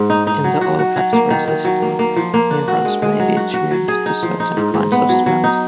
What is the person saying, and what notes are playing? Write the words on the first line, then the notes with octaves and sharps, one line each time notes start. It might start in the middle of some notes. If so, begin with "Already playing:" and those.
In the olfactory system, neurons may be tuned to certain kinds of smells.
Already playing: G#2
D#4
D#4
F#3
F#4
F#4
F#3
A#3
D#3
D#3
F#3
A#3
A#3
F3
A#3
D4
F#4
G#3
G#3
F#3
F#4
F#4
F#3
G#4
D#4
F3
D#4
G#2
G#2
B3
F#3
F#3
D#4